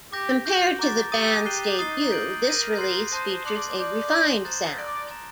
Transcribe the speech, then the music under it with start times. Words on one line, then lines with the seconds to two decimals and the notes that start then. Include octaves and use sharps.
Compared to the bands' debut, this release features a refined sound.
0.12 G4 D6 G6 A#6
0.46 F#4 G6 D7 G7
0.79 A#5 D6 A6
1.12 G4 D#6 A6 D#7
1.45 G4 F#6 C7 D#7 G7
1.79 D#4 D#6 A6 C7 G7
2.12 G6 D7 F#7
2.45 A#4 G6 A#6 D#7
2.78 C6 F#6 C7
3.12 C5 A5 D#6 F#6 A#6
3.45 D5 A5 C6 F#6 C7 F#7
3.78 D5 D6 G6 D7 F#7
4.12 D6 F#6 A#6 D#7 F#7
4.44 C5 A#5 D#6 F#6 A6
4.77 D5 F#6 A#6 D7 G7
5.11 A#5 D6 A6